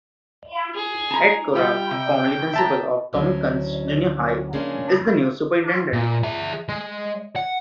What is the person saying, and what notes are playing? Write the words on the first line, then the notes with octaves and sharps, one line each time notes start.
Ed Cora, formally principal of Tommie Kunst Junior High, is the new superintendent.
G#4
A5 A#5
G3 F4 G4 G5
C3
E5 A5 A#5
D2 F#3 C#4 E4
C#3 F3 G#3 A#3 C#4 D4
A#2
G#4 E5
G#3
F#5